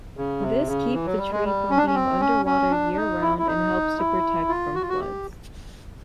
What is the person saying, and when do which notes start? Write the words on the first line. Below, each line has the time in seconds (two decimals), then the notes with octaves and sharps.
This keep the tree from being underwater year-round and helps to protect from floods.
0.17 C#3
0.41 C3
0.67 C#3
0.93 E3
1.06 F#3
1.18 G3
1.31 G#3
1.44 G3
1.70 C#4
1.77 D4
1.86 C#4
1.95 C4
2.20 C#4
2.45 C#4
2.70 D4
2.97 D#4
3.22 E4
3.38 E4
3.47 D#4
3.98 E4
4.49 F4
4.75 F#4
4.82 F4
4.89 F#4
5.00 G4